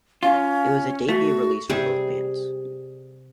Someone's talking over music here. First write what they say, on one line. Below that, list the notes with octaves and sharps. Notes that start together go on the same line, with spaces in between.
It was the debut release from both bands.
C#4 F4
A3 F#4
C3 G3 G#4